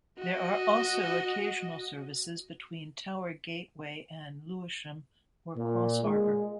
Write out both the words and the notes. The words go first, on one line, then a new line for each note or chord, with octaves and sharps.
There are also occasional services between Tower Gateway and Lewisham or Crossharbour.
F#4 D#5
A#2
G#3